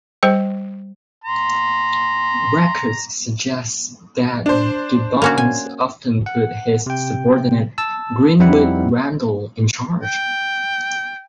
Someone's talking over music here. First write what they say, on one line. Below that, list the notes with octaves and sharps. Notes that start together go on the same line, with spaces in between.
Records suggest that Gibbons often put his subordinate Greenwood Randall in charge.
G3 C5 G5
A#5 C6
D4 C5
A#3 C#4 F#4
G#5
F#5
C3 G5
A5 E6
F2 G3 C4 D#4 E4 F#5
G5